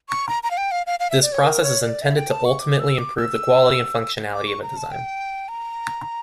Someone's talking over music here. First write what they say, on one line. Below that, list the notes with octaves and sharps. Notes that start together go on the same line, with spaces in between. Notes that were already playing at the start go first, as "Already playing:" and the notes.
This process is intended to ultimately improve the quality and functionality of a design.
C#6
A#5
A#5
F5
G5
F5
F5
F5
E5
D5
C#5
A#4
C#5
D5
E5
G5
A5
C#6
D6
E6
D6
E6
D6
C#6
A#5
A5
G5
A#5